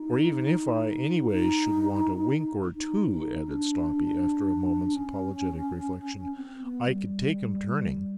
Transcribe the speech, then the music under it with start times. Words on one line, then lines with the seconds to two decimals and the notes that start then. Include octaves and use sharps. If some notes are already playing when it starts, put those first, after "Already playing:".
Or even if I any ways should want a wink or two,' added Sloppy, after a moment's apologetic reflection, 'I could take 'em turning.
Already playing: D#4
1.30 D#4
2.75 D#4
3.12 D#4
3.48 D4
4.93 C#4
6.39 C4
6.62 B3
6.86 G3